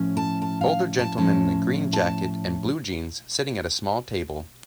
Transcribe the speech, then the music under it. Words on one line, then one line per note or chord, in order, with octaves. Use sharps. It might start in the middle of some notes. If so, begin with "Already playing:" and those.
Older gentlemen in a green jacket and blue jeans sitting at a small table.
Already playing: A2 F3 C#4
A5
A5
F5
A5
A2 F3 C#4 A5
A5